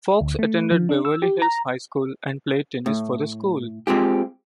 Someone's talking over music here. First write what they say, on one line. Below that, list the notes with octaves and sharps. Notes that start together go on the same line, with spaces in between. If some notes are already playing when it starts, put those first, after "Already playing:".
Fox attended Beverly Hills High School, and played tennis for the school.
D2
A3
F3
D4
E6
G4
A#5
A2
G#3 C4 F4 G4